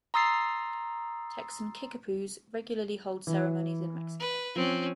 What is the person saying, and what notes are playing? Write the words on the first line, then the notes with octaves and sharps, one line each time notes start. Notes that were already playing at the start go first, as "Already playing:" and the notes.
Texan Kickapoos regularly hold ceremonies in Mexico.
A#5 C6 D#6 E6 A6 C7
E3
B4
F3 C4 C#4